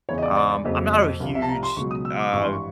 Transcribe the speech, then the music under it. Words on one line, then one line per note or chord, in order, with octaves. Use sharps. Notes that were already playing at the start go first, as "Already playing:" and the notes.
um, I'm not a huge, t uh
E2 C#3 E3 C#5
D#5
D5
D5
D5
F#1 F2 C#3 F#3 D#5
D#5
C2 C3 F3
E5
A5
A#5
C6
C#2 B2 F#3 C#6
D#6
E6
D6
G#1 G2 E3 C#6
C6
C#6